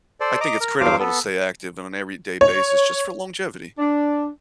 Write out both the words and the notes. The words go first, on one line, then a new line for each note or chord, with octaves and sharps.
I think it's critical to stay active on an everyday basis just for longevity.
A4 C5 D5
D#5 A#5 D6
A#4
E2 G2 F#3 C5 F5 D6
B3 A4
C#5
D4